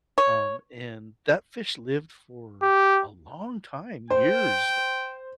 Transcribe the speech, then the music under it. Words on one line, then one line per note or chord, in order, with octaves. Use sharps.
um, and that fish lived for a long time, years,
C#5
G4
C5 G5